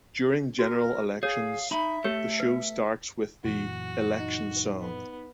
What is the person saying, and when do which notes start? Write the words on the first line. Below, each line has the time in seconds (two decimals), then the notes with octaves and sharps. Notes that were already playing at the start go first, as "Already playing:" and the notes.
During general elections, the show starts with the 'election song'.
0.59 F#4 A#4
1.23 G#4 C#5 F5
1.71 D#4 E5 B5
2.04 A3 G4 A4 C#5
2.40 B4
3.44 F#2 A#2 E3 F#4
4.20 D#4
4.80 B3